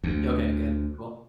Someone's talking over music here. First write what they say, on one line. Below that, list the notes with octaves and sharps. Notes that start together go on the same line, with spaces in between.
Okay, good, cool.
D2